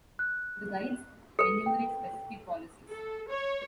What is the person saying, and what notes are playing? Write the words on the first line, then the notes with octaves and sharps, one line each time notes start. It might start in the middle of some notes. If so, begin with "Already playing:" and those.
The guides enumerate specific policies.
F#6
A4 B4 C#7
G5
A4
C#5